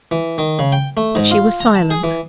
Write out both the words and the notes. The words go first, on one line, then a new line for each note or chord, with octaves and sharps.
But she was silent.
E3
D#3
C#3
G5
A3
G#2
F4
A#5
A5
G#4
E3